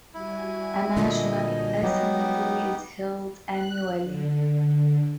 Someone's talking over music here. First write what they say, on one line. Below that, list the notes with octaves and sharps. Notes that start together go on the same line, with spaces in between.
A national assembly is held annually.
G3 E4 F#4 G#5
A#2 D3 D#5
F#3 B3 D#4 G4
F#6
D3